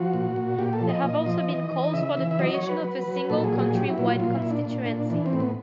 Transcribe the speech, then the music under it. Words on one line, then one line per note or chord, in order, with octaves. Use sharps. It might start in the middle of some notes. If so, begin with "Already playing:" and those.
There have also been calls for the creation of a single, country-wide constituency.
Already playing: F3 F#4
A#2
A#2
A#2 G4
A4
F3
D#5
A#2
F3
E3
E3
C#3 E5
E3
E5
F#3 D#5
C#5
F#3
B4
F#3
F#3
A#2 A4
G#4
F#3
G#4
F#3 G4
E4
A#2
F4
A#2 F4
E4
A#2
D4
A#2
A#2
E3 D4
C4
A2
B3